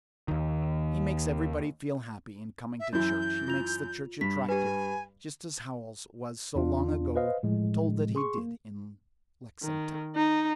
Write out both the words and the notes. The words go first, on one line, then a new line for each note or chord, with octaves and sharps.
He makes everybody feel happy in coming to church; he makes the church attractive just as Howells was so long ago told that he did in Lexington.
D#2 D#3
E5
F#2 E3 E4 G6
F4 F7
G2 B6
G4 B4 G#5
E2 D4 F4
B4 C5 D#5 F5
A2 F3 G#3
G#4 C6 C#6
A#3
D#3
D#4